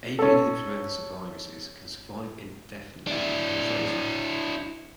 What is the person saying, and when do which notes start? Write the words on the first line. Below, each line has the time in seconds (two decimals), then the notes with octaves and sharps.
Avian influenza viruses can survive indefinitely when frozen.
0.19 C#4 A4
3.07 D4 E4